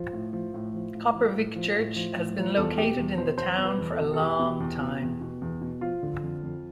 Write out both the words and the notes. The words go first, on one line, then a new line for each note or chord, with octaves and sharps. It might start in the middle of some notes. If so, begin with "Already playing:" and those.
Kopervik Church has been located in the town for a long time.
Already playing: F3
A2
F3
A2
F3
A2
F3
A2
F3
A2
F3
A2
F3
E2 A4
B2 G4
E2
B2 C5
E2 C5
B2
B4
E2
A4
B2
A4
E2 G4
B2
E2
B2
E2
B2
E2
B2
F3 F4
D3
F2
F2